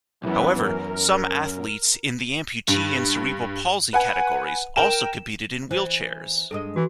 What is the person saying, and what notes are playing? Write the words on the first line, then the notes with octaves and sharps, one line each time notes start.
However some athletes in the amputee and cerebral palsy categories also competed in wheelchairs.
B1 F#2 E3 B3 B4
A#4
G2
B4 F#5 G#5
A#4 G5 E7
E3 C5
G2 G#3 A4 D#5
E3 F#4